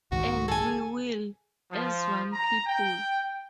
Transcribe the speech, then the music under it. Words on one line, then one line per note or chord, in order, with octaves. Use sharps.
And we will, as one people.
C2 G#2 D#3 F#4
G#4 A4 G#5
F3
A#5
G5